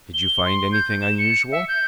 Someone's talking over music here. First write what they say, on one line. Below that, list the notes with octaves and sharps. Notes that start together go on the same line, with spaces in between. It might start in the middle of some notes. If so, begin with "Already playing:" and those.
"Did you find anything unusual?"
G7
C6
G6
E7
C#7
E5
G6